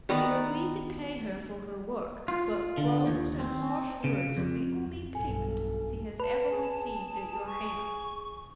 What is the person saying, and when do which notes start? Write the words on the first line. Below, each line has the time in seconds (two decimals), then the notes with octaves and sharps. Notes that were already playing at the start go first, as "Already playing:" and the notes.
You agreed to pay her for her work, but blows and harsh words are the only payment she has ever received at your hands.
0.09 D#3 B3 D5 A#5
2.28 F4
2.77 D3
3.07 D#2
3.40 C4
4.04 C#3
4.37 F2
5.15 B1 G2 A4 G#5
6.20 B4 A5
6.50 G#4
7.46 C#6